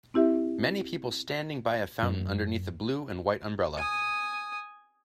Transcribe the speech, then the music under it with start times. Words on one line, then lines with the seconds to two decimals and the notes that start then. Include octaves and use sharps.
Many people standing by a fountain underneath a blue and white umbrella.
0.14 C4 E4 G4 E5
2.03 F#2
3.77 G#5 D#6